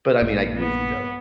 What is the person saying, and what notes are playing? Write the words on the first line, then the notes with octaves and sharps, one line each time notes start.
But, I mean, I agree with you, though.
A#1 G2 A#3
B3